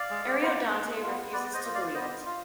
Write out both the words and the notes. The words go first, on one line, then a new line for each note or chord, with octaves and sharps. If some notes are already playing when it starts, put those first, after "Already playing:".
Ariodante refuses to believe it.
Already playing: D5 F5
G#3
B3 F4
G#3
B3 F4
B3 B4 D5
C5 D#5
F4
D5 F5
B3 C5 D#5
F4